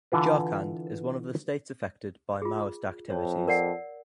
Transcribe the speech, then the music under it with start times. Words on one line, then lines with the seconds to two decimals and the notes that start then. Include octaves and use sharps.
Jharkhand is one of the states affected by Maoist activities.
0.12 D3 E3 F4 B4
2.42 F4 G#4
3.10 F2 C#5
3.48 A#4 D5 F#5